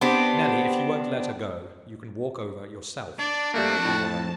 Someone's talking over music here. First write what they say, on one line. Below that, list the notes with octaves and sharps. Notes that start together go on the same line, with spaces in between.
Nelly, if you won't let her go, you can walk over yourself.
B3 C4 D4 G4
D4 D5
F2 G3 A3 A#3 F#4 A5
A2